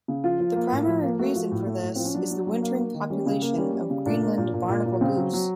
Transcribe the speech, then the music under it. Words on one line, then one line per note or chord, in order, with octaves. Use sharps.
The primary reason for this is the wintering population of Greenland barnacle goose.
C#3
F3 F4
F3
A#3
A2
F3
A#3
A3 F#4
F3
A2
A3
A2
F3 C4
C#4
F#3 D4
F#3
F#3
A#3
A#3
D#3
G3 C#4
C#3
A#3
G3 C#4
G3
C#3
A#2 D4
A#3
A#2
A#2
A#2
A#2
C#3 C4
F#3
F#3